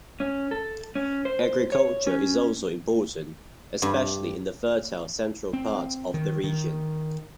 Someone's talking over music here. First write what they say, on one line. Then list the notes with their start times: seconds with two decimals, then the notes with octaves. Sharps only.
Agriculture is also important, especially in the fertile central parts of the region.
0.20 C#4
0.51 A4
0.95 C#4
1.25 C5
1.72 C#5
2.07 C#4
3.82 G2
5.53 C4
6.14 D#3
6.44 D#3